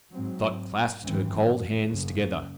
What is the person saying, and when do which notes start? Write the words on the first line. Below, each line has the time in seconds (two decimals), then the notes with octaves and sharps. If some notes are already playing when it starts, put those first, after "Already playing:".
Dot clasped her cold hands together.
0.13 G#2 F#3 C4
1.02 G#1 F#2 E3 C4
1.90 F#1 F#2 C#3